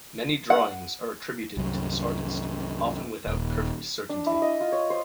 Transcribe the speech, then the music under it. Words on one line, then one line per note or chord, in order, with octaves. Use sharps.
Many drawings are attributed to this artist, often without perfect certainty.
F#5
C2 F#2
D#1
D4
E4
D#5
F4
C#5
C5